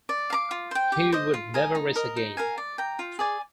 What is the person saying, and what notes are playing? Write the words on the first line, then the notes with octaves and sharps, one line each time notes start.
He would never race again.
D5
F5 A#5 D6
F4
C5 G5
G4
C5 D#5
F4
A#4 D#5 G#5
D#4
A#4 D#5
D#4
A#4 F5 G#5
D5
G5 A#5
F4
G#4 D5 G#5